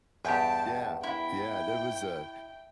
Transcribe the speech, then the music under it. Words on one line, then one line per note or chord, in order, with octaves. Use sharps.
Yeah, yeah, there was a
E2 G2 G4 G5 A5
E4 G5